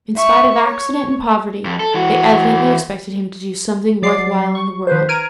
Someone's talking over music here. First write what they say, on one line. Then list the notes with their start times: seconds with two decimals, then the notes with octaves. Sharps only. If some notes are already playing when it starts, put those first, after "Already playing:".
In spite of accident and poverty, they evidently expected him to do something worth while in the world.
0.16 E5 C#6
0.65 C#5
1.65 F2
1.80 A4
1.94 E3 F#4
4.02 F#3 D5 D6 C7
4.55 C#6
4.87 D#3 B4 C5
5.09 A#5 F6 G#6 D7 D#7